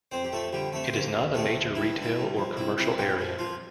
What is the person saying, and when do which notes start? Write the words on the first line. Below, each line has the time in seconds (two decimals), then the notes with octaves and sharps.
It is not a major retail or commercial area.
0.12 F2 C4 C5
0.24 G4
0.32 F3 A3 A4
0.53 D3 G3 G4
0.73 F2 A3 A4
0.84 C5
0.93 D2 A#3 A#4
1.13 D2
1.34 C3 A3 A4
1.55 D2
1.75 G2 E4
1.95 D3
2.03 E4
2.16 G2
2.37 F3
2.57 C2 E4
2.78 C2 E4
2.98 A#2 G3 G4
3.18 F3
3.38 F3 F4